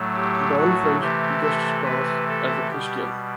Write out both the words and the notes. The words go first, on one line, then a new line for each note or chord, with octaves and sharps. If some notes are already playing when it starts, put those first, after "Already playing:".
Dawn French guest stars, as the Christian.
Already playing: A2 F#3 A3
G4
F#4
C3 E3 A3 G4
A4
B4
A4
B2 G3 G4